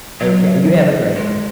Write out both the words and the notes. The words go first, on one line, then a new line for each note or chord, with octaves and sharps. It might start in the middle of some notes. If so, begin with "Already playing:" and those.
okay, you have a great one.
F#3
G#3